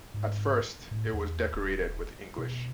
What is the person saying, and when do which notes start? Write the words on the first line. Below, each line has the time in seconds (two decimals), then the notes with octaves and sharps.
At first it was decorated with English.
0.14 G#2
0.91 A2
1.14 E2
1.54 D#1
2.38 B2